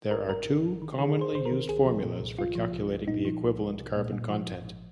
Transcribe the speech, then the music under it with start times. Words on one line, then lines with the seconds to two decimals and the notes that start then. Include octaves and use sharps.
There are two commonly used formulas for calculating the equivalent carbon content.
0.11 G#1 A#4
0.29 G#1 A#4
0.46 G#1
0.64 G#1
0.82 D#3
0.99 D#3 G#4
1.17 D#3 C5
1.33 G#1 C5
1.45 A#4
1.51 D#3
1.68 C2 G#4
1.86 F3
2.03 A#2
2.20 C2
2.39 C2 F4
2.55 F3
2.72 C2
2.91 C2
3.08 A#2 D#4
3.25 F3
3.43 C2
3.60 C2
3.78 C2
3.96 A#2
4.13 A#2
4.30 F3
4.48 G#1
4.65 G#1